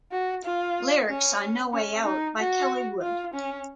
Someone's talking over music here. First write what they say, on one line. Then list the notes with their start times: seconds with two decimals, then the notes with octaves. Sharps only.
Lyrics on "No Way Out" by Kelly Wood.
0.11 F#4
0.44 F4
1.09 C#4
1.73 C#4
2.04 D#4
2.38 F#4
3.02 F4
3.34 C#4